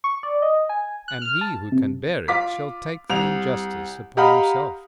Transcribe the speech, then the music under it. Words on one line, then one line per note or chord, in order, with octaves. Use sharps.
And he who can bear it, shall take the injustice upon himself!
C#6
D5
D#5
G#5
F#6
F6
A5
C3
F4 D6 B6
C2 F7
G4 D#5 F5 F#5 A#5 B5